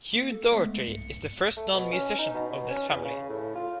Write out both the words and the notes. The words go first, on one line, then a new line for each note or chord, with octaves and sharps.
Hugh Doherty is the first known musician of this family.
A#3
A4
G#3 A3 B3
B1 G2 C#7
A3
B2
C#4
D#4
B2
B2
C#4
E2
C#3
A2
F4